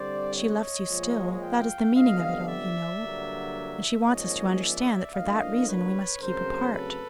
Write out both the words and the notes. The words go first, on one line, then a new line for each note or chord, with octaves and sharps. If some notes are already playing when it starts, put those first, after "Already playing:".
She loves you still,--that is the meaning of it all, you know--and she wants us to understand that for that reason we must keep apart.
Already playing: D3 G3 C4 C5 D5
C#5 D#5
A#2 F3 G#3
F5 G5
F2 D3 G3 B3 D#5 F5
D5 E5
G2 D3 F#3 A#3
G#2 F3 A#3 C#4 C#5 D#5
D5 E5
A2 F3 A#3 D4 D#5 F5
B4 C#5
C#3 F#3 A3 C4 A#4 C5
A4 B4